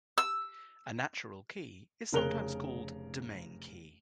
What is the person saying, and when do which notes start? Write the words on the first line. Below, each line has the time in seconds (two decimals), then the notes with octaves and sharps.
A natural key is sometimes called "domain key".
0.18 E6
2.13 F1 C#3 A#4 F#6 F7 G7